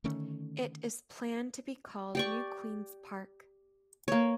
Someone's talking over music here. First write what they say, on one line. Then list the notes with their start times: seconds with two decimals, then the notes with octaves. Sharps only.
It is planned to be called New Queens Park.
0.04 D3 D#3 A3 C#4
2.15 G4 D5 C#6
4.08 A#3 C#5